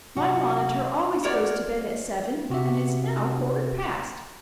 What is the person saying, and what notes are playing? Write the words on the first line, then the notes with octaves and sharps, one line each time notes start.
My monitor always goes to bed at seven, and it's now quarter past.
C3 F#3 F#4
F#4 A#4 C#5 D5
C3 F#4 G4 E5